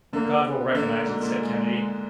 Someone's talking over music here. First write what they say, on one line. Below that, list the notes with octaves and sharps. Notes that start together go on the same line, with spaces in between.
"God will recognize it!" said Kennedy.
D3 A#3
B3
D3 A#3
G#2
A#2
G#3